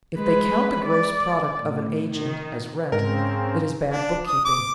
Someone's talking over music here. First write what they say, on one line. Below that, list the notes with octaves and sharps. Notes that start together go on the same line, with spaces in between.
If they count the gross product of an agent as rent, it is bad bookkeeping.
G#3 B4
D5
A2
D#3
G#2 C#3 C4 A#4
D4
D#6
D6